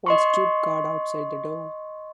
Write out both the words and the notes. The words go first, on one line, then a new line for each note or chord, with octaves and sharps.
One stood guard outside the door.
D#5 C6 C#6